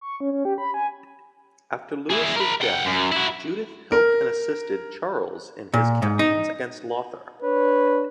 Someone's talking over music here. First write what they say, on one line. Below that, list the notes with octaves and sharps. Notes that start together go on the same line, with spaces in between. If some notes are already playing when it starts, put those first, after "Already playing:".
After Louis's death Judith helped and assisted Charles in his campaigns against Lothar.
C#6
C#4
C#4
G4
B5
G#5
E4 G#4
A#4 B5
F#5 G5
F#2
E4 F#4
A#4
A#2
G#2
D#4
D4 B4 C#5